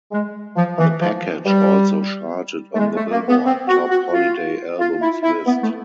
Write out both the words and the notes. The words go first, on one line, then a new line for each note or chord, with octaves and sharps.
The package also charted on the "Billboard" Top Holiday Albums list.
G#3
F3
E3
F3
G3
A3
G#3
A3
A#3
B3
C4
F#4
F#4
F4
F4
E4
E4
B3
A3